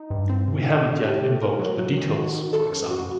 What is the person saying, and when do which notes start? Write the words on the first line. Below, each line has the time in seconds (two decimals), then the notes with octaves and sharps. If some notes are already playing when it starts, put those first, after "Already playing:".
We haven’t yet invoked the details, for example...
Already playing: D#4
0.10 G2
0.29 C4
0.48 C3
0.66 D4
0.85 D3
1.04 G4
1.23 A3
1.41 A#4
1.59 F#3
1.79 F#3
1.98 D#3
2.16 F#4
2.35 D#3
2.53 A4
2.72 F#2
2.91 F#4